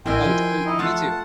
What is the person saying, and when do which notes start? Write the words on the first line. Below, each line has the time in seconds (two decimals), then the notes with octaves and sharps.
Oh, d uh, me too.
0.06 A1 E4 A#4 D#5 G5 G#5 C6
0.24 F3
0.66 D#4 E4 D#5
0.79 A3 F4 F#5 A5